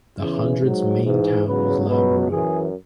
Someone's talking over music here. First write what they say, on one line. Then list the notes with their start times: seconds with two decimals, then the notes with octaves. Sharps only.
The hundred's main town was Loughborough.
0.19 E2 C#3 E3
0.61 G#2 F#3
1.03 G#2 E3
1.45 E2 C#3 F#3 B4
1.87 C#2 B2 F#3 B4
2.29 F#2 E3 G#4